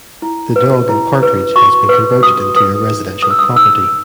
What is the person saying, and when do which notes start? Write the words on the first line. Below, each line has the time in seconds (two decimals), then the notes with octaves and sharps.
The Dog and Partridge has been converted into a residential property.
0.22 E4
0.56 B4
0.89 E4
1.23 B4
1.56 F#4 C#6
1.89 B4
2.22 F#4 D#6
2.56 B4 D#6
2.90 D#4
3.22 G#4 B4 D#6
3.30 E6
3.39 D#6
3.56 D#4 E6